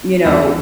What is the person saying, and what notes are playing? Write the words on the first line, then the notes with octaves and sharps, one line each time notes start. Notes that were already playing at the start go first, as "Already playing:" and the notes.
you know,
E2 E4